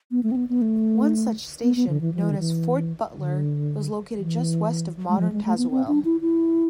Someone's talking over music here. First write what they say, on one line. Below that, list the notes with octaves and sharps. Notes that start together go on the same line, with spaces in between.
One such station, known as Fort Butler, was located just west of modern Tazewell.
B3
A3
C4
B3
B3
A3
B3
B3
D3
E3
F3
E3
D3
E3
D3
E3
G#3
F3
G#3
A3
B3
C4
D4
E4
E4